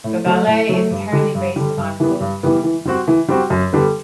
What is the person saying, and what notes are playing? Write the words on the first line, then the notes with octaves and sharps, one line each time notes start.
The ballet is entirely based on folk tunes.
A2
F#3 A3
A2
F#3 A3
G2
D3 G3
G2
D3 G3
G2
E3 G3 B3
G2
E3 G3 B3
E3
G3 C4 F#4
E3
G3 C4 F#4
F#2
D3 G3 B3